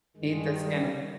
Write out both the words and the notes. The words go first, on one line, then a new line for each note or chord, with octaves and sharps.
Eat the skin with
G2 D#3 G#3
G3